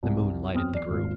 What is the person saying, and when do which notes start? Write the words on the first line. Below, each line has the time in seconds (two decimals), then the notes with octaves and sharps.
The moon lighted the group.
0.03 C2
0.53 F#2 B3 C4 D#6 F6
0.72 E2 D5 C7
0.89 D#1 G#1 F4